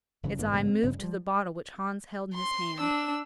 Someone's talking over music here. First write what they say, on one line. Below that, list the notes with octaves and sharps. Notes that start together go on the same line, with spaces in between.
Its eye moved to the bottle which Hans held in his hand.
G1 C#3 E3 F#3
G#1 G2 D#3 A#3
A#1 G#2 C#3 B3
C4
F1 G2 C#3
F3 G3
C6
D4 E6